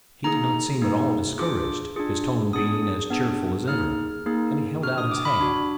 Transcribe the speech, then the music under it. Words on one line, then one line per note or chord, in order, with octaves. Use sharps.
He did not seem at all discouraged, his tone being as cheerful as ever, and he held out his hand.
A#3 D#4 G#4 A#5
A#3 D#4 G#4
D4 F4 G#4 D6
D4 F4 G#4
B3 D4 G#4 D#6
B3 D4 G#4
A#3 D#4 G#4 F6
A#3 D#4 G#4
D4 F#4 F6
D#6
D6
B5
D4 F#4